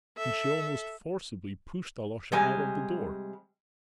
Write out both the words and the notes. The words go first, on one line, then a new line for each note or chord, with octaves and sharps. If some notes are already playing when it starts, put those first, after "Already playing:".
And she almost forcibly pushed Alyosha out of the door.
A4 E5
C3 G3 G#3 G#5